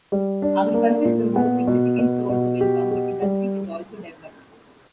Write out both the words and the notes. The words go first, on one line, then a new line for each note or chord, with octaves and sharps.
Agriculture is the most significant source of income, but industry is also developed.
G3
D4
A#3
A#2
B3
B2
B2
B2
G4
G4
G3